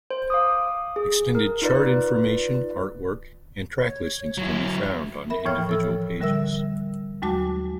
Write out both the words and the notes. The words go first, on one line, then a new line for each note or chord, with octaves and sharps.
Extended chart information, artwork and track listings can be found on individual pages.
C5
F5 D6 D#6
G#4
A#4
D#4 F4 B4 D5
C#5
F#3 E4
A#4 E5 B5
A2 E3 F3 C#5 G5 F6
A4 E6
D3 G3 A#4 E5 E6
D#2 F#3 G#3 F#4 A5 D6